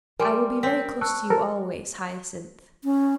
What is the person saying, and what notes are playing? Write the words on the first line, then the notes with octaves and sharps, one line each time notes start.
"I will be very close to you always, Hyacinth."
G3 A#4 G#5 C6 D6
C4 G5 B6
A5 C#6 E6 F#6
F3 A4 A#4 A5
C#4